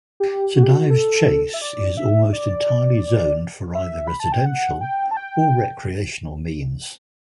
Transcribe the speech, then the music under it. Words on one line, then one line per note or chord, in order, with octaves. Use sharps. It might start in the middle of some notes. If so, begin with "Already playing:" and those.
Saint Ives Chase is almost entirely zoned for either residential or recreational means.
G4
F#4
G4
F#4
A4
E5
D5
E5
D5
E5
B5
A5
G5
F#5
G5
A5
G5